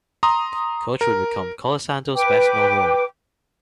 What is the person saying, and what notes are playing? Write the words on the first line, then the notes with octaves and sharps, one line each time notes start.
Coach would become Colasanto's best known role.
A#5 C6 D#6
A#4
B4 G5 D6